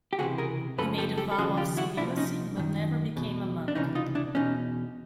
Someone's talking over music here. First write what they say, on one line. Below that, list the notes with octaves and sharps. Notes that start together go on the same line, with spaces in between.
He made a vow of celibacy, but never became a monk.
G4
C#2 C3 E3 F#4 G#4
G#4 A#4
F#2 C#3 F3 A4 B4
G4 A4
G4 A4
A4
D#2 C#3 F3 F#4 G#4
F4 G4
E4 F#4
C2 A#2 F3 D4 E4
C#4 D#4
F#2 D#3
E2 B2
D4
C#2 C3 E3 C#4 D#4
D#4 F4
D4 E4
E2 B2 C#4 D#4